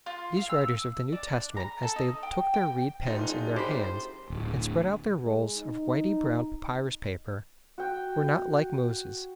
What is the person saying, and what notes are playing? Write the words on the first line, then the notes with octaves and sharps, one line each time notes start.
These writers of the New Testament as they took their reed pens in their hands, and spread out their rolls of whitey-brown papyrus-paper, were not like Moses.
F4
F5
E6
D4
A#5
A4
D#4
G5
G5
F#1 D#4 F4
G4 C5 B5
D1
G#3
D#4
F#4 G5